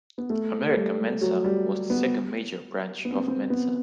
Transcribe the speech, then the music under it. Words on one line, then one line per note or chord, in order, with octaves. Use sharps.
American Mensa was the second major branch of Mensa.
B3
A3
A3
G3
F#3
G3
B3
B3
C4
B3
C4
B3